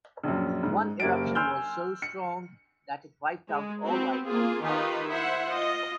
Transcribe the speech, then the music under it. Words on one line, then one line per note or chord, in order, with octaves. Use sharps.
One eruption was so strong that it wiped out all life on the island.
A#1 F#2
G#2
F#1 A#3 G4 E5 A6 D7
G#5 C6 E6 F6 G6
C#7
G#3
B3 C4 F#4
A#3 F4 G#4
D#3 D#4 F4 G4 B4
E4 C5 E5 F#5
F4 D#5